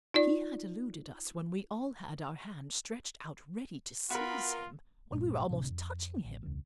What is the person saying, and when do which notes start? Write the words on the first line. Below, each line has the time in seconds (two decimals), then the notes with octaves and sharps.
He had eluded us when we all had our hands stretched out ready to seize him--when we were almost touching him.
0.14 D#4 F4 D5
4.10 B3 F4 F#4 A#4 B5
5.11 A#1 G2 A#2 G#3
5.49 D2 A2 C3 D4
5.71 F2
6.24 A1
6.45 E1 C#2